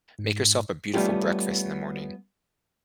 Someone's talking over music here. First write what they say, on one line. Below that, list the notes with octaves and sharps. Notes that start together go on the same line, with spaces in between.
make yourself a beautiful breakfast in the morning.
G#2
G3 A3 B3 C#4 F4 G4